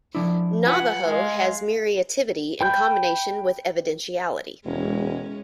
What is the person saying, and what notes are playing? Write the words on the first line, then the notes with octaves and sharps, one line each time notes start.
Navajo has mirativity in combination with evidentiality.
F3 D4 E4
F4 B4 F#5 G#5
G#3 F5
G5 B5 G6
E1 G#3 C#4